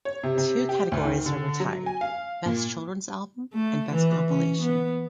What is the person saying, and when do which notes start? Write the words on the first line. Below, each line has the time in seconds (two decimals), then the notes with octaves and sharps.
Two categories were retired 'Best Children's Album', and 'Best Compilation'.
0.05 C#5
0.23 C3
0.38 C3
0.69 G4
0.92 D2
1.05 D#3
1.26 D3
1.60 F#3
1.86 G#5
2.01 F5
2.46 A#2
3.54 A3
3.94 E3
4.28 C#4
4.63 B3